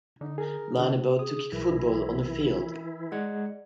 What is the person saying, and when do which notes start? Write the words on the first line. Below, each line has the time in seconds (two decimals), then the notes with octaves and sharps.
Man about to kick football on a field.
0.21 D3 D#4
0.38 G#4 A#4
0.78 D3 D4
1.19 G#4 D#6
1.53 B1 E3 E4 A#4
3.12 G#3 D5 F#5 G#6